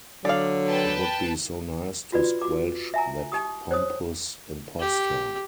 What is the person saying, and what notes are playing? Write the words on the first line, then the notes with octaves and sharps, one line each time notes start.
It would be so nice to squelch that pompous impostor.
D3 F#3 D5 F5
B4 G5 A5
F4 F#4 B4 D5
F#4 D6
E5 G#5 A#5
D#4 G4 D#6
C5 C#5 D#6
G4